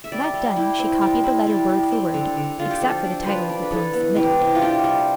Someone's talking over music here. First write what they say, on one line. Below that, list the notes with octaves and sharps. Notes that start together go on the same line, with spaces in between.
That done, she copied the letter, word for word--except for the title of the poem submitted.
E5
G3 D5
G3
E4 G4
C4
G3
E4
G3
G3
C4
D3
D3
D3 F4
G4
F3 A4
D4
F3 B4 C5
D4
B4
E3 A4
B3
E3 G4
C3
F4
D4 G4
G3